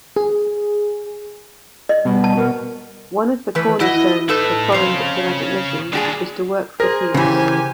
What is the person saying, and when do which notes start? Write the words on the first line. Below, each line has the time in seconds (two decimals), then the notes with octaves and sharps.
One of the cornerstones of foreign diplomatic missions is to work for peace.
0.16 G#4
1.89 D#5
2.05 B2 G3
2.24 A5
2.37 B2 A#4
3.55 E3 A3 B4
3.80 E3 E4 F#4 D#5
4.29 D#4 E4 A4 B4 A5
4.72 F2 C#3 C5 F5
5.93 A#2 G3 D4 G4 G#4
6.80 G#4 A#4 C5 A#6
7.14 C#3 E3 G4 G#5